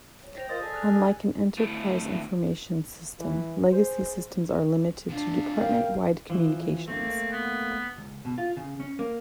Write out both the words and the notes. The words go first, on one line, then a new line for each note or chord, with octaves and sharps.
Unlike an enterprise information system, legacy systems are limited to department wide communications.
C#5
C5 G5 A#6 F7
F4 A#4 C5 D#5 D#6 A6
G#4 A4 D5 G#5
F6 F#6 F7
D2 A2
E3
G#4 C5
C3 D4 F4
A#4 F5 G5
E3 F3
A3 A#3 C4
B3
C#2
B2
F4
C#3
C#4
A#3